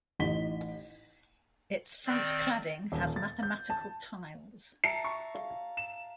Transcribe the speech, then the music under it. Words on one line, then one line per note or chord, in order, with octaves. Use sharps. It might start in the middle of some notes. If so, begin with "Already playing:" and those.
Its front cladding has mathematical tiles.
A1 D#4 D#5 B6 G7
D#3 C4 D5
D#1
A6
G6
A5
E5 A5 A#5 C#7
C#6
F5
E7